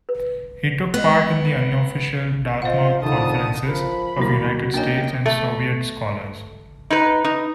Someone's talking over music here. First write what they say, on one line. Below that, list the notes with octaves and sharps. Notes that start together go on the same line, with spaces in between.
He took part in the unofficial Dartmouth Conferences of United States and Soviet scholars.
B4
G#3 B3 D#5
F4 C5 D#5 F#5
C2 F2 D3 D#3 A5 D#6
F3 A#4 B5
D#2 F#3 G3 A#3 E4 F#4
A#3 C#4 D4 D#5 G5 G#5
A3
D#4 B4
D#4